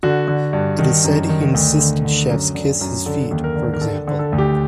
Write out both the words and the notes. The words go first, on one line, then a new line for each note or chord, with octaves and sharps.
It is said he insisted chiefs kiss his feet, for example.
D3 F#4
D3
G2
D#3
F#2
D#3
D2
D3
D3
F#2
D3
F#2
D3 A4
D#2
A#4
D3
A#4
D3 A4
D3
A4
D2
G4